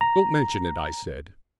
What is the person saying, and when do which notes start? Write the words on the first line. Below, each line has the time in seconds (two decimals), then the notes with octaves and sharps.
"Don't mention it," I said.
0.01 A#5